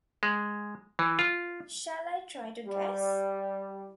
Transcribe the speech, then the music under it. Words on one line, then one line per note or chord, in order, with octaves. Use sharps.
Shall I try to guess?
G#3
E3
F4
G3